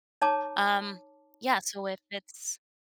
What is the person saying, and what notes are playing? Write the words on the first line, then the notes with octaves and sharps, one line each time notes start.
Um, yeah, so if it's
D#4 C#5 A5 A#5 D6